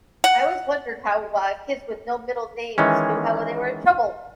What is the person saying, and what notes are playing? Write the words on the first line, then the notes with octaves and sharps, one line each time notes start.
I always wondered how, uh, kids with no middle names knew how they were in trouble.
F#5
D#3 E3 G#3 C#4